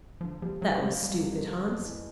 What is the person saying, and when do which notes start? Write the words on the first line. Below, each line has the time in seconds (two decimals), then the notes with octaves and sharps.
'That was stupid, Hans.
0.21 D3 F3
0.42 F3 G3
0.61 F#3 C4
0.82 G#3 F4
1.03 F2 G3
1.23 C3
1.44 F3
1.64 F2
1.84 E3